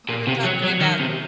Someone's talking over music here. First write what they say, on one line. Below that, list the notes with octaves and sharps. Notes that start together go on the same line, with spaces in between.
we're talking about,
A#2
C3
F#3
F#3
D#3
C3